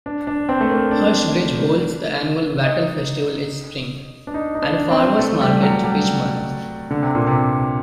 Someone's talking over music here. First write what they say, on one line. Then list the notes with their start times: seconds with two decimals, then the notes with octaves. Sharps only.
Hurstbridge holds the annual Wattle Festival each spring, and a farmer's market each month.
0.06 D4
0.27 D4
0.49 C4
0.61 A3
0.70 A#3
0.91 D4
2.63 D#4
4.27 D4
4.34 D#4
4.55 D#4
4.62 D4
4.91 C4
5.19 A3
5.41 G3
5.62 F#3
5.84 G3
6.91 D3
7.02 C3
7.15 A#2
7.27 C3